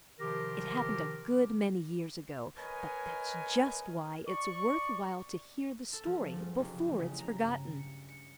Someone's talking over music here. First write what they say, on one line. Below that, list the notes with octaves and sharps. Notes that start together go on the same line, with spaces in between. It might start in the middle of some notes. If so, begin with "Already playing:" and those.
It happened a good many years ago, but that's just why it's worth while to hear the story before it is forgotten.
C3 D#3 F3 G4 A#4
A#4 B4 C#5 D#5 G#5
D5 C#6
A4
F3
F#1
F1
A1
C#3
A#5
G2
C#7
C#7